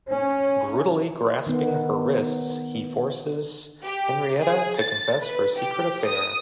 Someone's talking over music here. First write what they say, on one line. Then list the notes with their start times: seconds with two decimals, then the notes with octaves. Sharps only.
Brutally grasping her wrists, he forces Henrietta to confess her secret affair.
0.10 C#4
1.47 D#3 B3
3.85 G4
4.41 G#4
4.81 A6
5.23 B4
5.57 G4
6.06 D#6